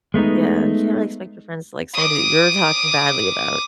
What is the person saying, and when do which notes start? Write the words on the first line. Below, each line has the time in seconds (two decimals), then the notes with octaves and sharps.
Yeah, you can't really expect your friends to like somebody that you're talking badly about.
0.14 G#3 A3 B3 D#4
1.94 D6 D#6